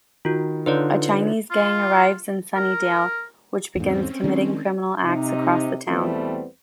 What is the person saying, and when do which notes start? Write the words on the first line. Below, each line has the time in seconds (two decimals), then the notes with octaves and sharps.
A Chinese gang arrives in Sunnydale, which begins committing criminal acts across the town.
0.25 D#3 F4 F#4
0.66 D3 D#4 F4 B4 C#5 D5
1.51 F4
2.56 A#4
3.76 E2 G#2 C4 C#4
4.24 D#3 G#3 D4
5.04 C3 D#4
5.88 E2 B2 G3 A3 B3 C4